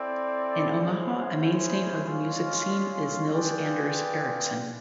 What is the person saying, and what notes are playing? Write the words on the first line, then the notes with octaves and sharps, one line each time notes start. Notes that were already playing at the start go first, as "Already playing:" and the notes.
In Omaha, a mainstay of the music scene is Nils Anders Erickson.
Already playing: C4 E4 A4 D5
C#4 E4 G#4 C5
G#3 C#4 F4
F4 G#4 B4 D5 G5